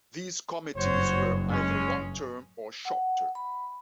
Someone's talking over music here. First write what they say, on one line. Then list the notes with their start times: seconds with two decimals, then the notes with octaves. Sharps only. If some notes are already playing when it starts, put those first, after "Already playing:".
These committees were either long-term or short-term.
0.76 F#1 G2 F#4 C5 C#5
1.50 G#3 C#4
2.85 F#5
3.35 B5